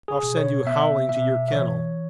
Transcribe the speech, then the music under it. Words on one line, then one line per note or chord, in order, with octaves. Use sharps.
I'll send you howling to your kennel!
G#4
B2
C#5
B3 E5
B2 E5
E5
E3 C#5